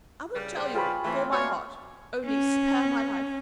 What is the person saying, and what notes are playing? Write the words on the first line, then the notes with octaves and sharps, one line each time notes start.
"I will tell you, with all my heart, only spare my life!"
C#3 G3
C5 F#5 G5
F4 G#4 B4 C#5 G5 B5
E3 A3 C4
C#4 F#4 C#5 D5 F5
C#4